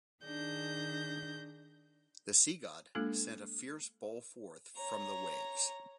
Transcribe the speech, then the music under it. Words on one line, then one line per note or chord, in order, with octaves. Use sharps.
The sea-god sent a fierce bull forth from the waves.
D#3 D4 G#4 G6 A#6
G#3 A#3 D4 F4 A4
C#5 A#5